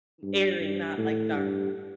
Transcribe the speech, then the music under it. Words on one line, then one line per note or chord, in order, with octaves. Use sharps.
airy, not, like, dark.
G2
G2
A2
G2